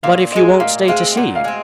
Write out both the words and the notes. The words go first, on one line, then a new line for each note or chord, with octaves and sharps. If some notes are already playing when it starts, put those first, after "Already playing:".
"But if you won't stay to see!"
A#2 F5
G#3 C4 D#5
A#2 F5
G#3 C4 F5
A#2 F#5
F5
G#3 C4